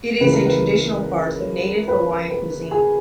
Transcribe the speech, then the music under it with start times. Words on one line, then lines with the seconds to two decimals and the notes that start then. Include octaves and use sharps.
It is a traditional part of Native Hawaiian cuisine.
0.20 C#2 C#3 E3 A#3 B4
0.33 A#4
0.46 B4
1.88 B4
2.30 B4
2.71 G#4